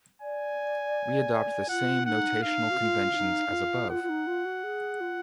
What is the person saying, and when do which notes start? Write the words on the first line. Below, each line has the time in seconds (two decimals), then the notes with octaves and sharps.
We adopt the same notational conventions as above.
0.21 D5 G#5
1.69 F4 F#5
2.06 D#4 F#5
2.43 D#4 F5
2.70 F#4
2.80 F4
3.13 F4
3.17 D#4
3.48 D#4
3.53 F4
3.90 F4 F#5
4.03 F4
4.09 D#4
4.27 F4
4.45 F#4
4.63 G#4
5.00 F4